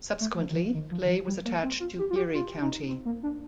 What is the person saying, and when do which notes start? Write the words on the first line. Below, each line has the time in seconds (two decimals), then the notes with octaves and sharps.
Subsequently, Clay was attached to Geary County.
0.21 A3
0.38 F3
0.50 D#3
0.56 F3
0.74 D#3
0.91 F3
1.05 D#3
1.09 F3
1.27 G3
1.45 A#3
1.63 C4
1.80 F4
1.99 G4
2.10 F4
2.16 G4
2.34 F4
2.61 D#4
2.88 C4
3.05 A#3
3.23 D4